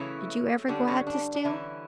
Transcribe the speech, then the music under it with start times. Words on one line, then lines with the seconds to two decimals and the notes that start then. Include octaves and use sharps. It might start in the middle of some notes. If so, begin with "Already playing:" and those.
"Did you ever go out to steal?"
Already playing: C#3 E3 F#3 A3 C#4 E4
0.68 D3 G3 C#4 D4
0.88 C#4
1.07 D4
1.35 D4
1.44 D3 E3 G3 C#4 E4